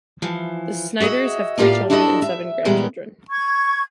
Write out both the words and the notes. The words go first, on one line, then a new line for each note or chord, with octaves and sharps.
The Snyders have three children and seven grandchildren.
E3 F3
F#4 G#4 C5 D#5 E5
A2 A#3 F4 G4 D5 F5
D4 E4 F#4 A4 C5 D#5
E5
A#2 E3 G3 G#3 B3 G5
C#6 G#6